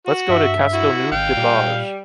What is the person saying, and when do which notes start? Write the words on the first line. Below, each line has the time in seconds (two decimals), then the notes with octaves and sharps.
Let's go to Castellnou de Bages.
0.07 F#4
0.29 G2 E5
0.74 E4 F#4
1.12 G#1 F5 G5
1.37 A#2 G3